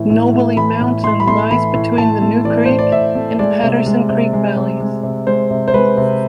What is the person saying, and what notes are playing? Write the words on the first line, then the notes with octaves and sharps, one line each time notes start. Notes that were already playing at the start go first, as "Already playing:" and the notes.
Knobly Mountain lies between the New Creek and Patterson Creek valleys.
Already playing: A2 E3
A2
A3
E3 B5
A2
A2 C6
B5
A3 C6
E3 B5
A2
A2 A5
A3
E3 D5
A2 C5
D5
A2 E5
A3
G#3 D5
C3
G#3
C3
G#3
C3
G#3
C3
G#3 C5
C3
C5
G#3 B4
C3